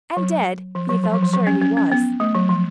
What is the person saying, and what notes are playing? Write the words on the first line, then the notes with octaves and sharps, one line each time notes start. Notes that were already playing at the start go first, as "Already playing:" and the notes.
And dead he felt sure he was.
F#3
F3
F#3
F3
F#3
F3
F#3
C#4
C#4
C#4
B3
A3
F#3
F3